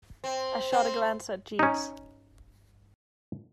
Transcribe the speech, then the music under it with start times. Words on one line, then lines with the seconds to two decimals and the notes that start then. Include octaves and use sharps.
I shot a glance at Jeeves.
0.24 C4
0.72 C4
1.59 C#4 D#4